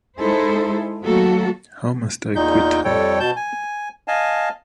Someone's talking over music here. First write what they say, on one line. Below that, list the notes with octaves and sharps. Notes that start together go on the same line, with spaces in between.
How must I quit her?
G#3 D#4 E4 G#4 A4 C5
D#3 F#3 A3 A#3 F#4 A4
E2 A#2 D#4 G6
F2 G3 A4 C#5 G5
B2 A5 G6
G#5
D#5 F5 G#5 A5